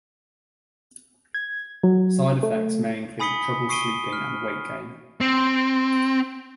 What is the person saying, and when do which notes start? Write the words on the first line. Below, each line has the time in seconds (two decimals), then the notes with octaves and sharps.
Side effects may include trouble sleeping and weight gain.
1.34 G#6
1.84 F#3
2.43 A3
3.20 G#5 B5 D#6 B6 C#7 G7
3.69 C#6 D#6 C7 D7 D#7 G7
4.13 F6
5.21 C4